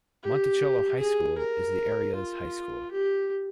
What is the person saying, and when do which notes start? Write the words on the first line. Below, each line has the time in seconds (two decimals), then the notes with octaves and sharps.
Monticello High School is the area's high school.
0.23 G4
0.99 G#4
1.38 A#4
2.15 F4
2.92 G4